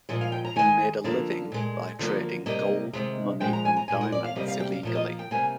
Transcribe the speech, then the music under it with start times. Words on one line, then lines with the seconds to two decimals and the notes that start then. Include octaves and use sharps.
He made a living by trading gold, money and diamonds illegally.
0.09 A#2 F3 G#3
0.21 F5
0.32 G5
0.45 A#5
0.56 D#3 G#3 G#5
1.04 D3 F3 A#3
1.52 A#2 G#3
1.99 D3 F3 A#3
2.46 C3 G3 A#3 D#5
2.93 C3 D#3 G#3
3.40 A#2 F3 G#3 G5
3.53 A#5
3.65 G#5
3.77 A#5
3.88 A#2 G#3 G#5
4.01 A#4
4.12 D5
4.24 F5
4.35 C3 G3 A#3 D#5
4.48 F5
4.60 G5
4.72 F5
4.83 A#2 F3 A#3
4.95 D#5
5.19 G5
5.31 C3 G3 A#3 G#5